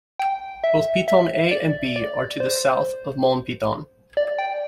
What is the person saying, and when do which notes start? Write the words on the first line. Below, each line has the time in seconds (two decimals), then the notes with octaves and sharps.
Both Piton A and B are to the south of Mons Piton.
0.19 G5
0.64 E5
1.08 E5
1.51 D5
1.96 D5
2.40 C5
4.17 D5
4.38 G5